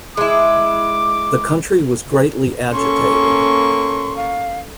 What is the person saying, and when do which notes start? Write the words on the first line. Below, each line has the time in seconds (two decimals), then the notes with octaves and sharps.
The country was greatly agitated.
0.17 G#3 E4 D6
2.72 A#3 C#4 A4 C6 C#6
4.17 F5